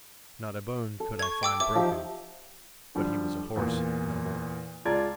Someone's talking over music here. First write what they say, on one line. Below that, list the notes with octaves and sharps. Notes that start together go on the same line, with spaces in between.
Not a bone could I find broken, but he was a horse no more.
A4
C#6 G#6
G5 D6 E6
E5 D6
F3 D#4 G4
D3 F3 G3
E2 A#2
C#2 F4 D5 A5 A#5 G#6